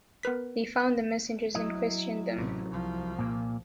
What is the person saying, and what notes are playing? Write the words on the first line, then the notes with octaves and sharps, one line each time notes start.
They found the messengers and questioned them.
B3 A#4 B4 B6
F#3 E4 D#5
A1 C3
C2 F3
A#2 A#3